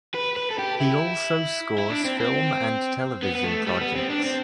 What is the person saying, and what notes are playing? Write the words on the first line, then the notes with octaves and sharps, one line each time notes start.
He also scores film and television projects.
B4
B4
A4
G4
E4
E4
D4
C4
C4
B3
B3
A3
G3
B3
C4
D4
C4